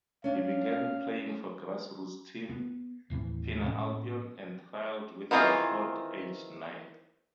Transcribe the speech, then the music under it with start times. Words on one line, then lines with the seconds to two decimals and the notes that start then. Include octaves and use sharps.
He began playing for grassroots team Pinner Albion and trialled with Watford aged nine.
0.24 C#4 D4 F5
2.49 B3
3.10 D#1 A2 E3 C4
3.64 A2 C4 C#4
5.31 D#3 E3 C4 F4 G#4